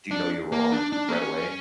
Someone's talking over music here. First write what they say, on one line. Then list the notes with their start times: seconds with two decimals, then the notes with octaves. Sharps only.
do you know you're wrong right away?
0.11 D4
0.52 A#3
0.72 D4
0.92 D4
1.08 A#3
1.12 C#4